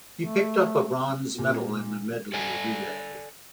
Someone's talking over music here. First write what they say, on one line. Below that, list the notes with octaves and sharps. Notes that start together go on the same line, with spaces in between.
He picked up a bronze medal in the medley relay.
A3
A#2
A4 D5 F#5 G#5